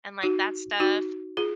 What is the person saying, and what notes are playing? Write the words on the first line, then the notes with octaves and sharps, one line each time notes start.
and, like, that stuff,
D#4 F#4
D#4 F#4
F4 G#4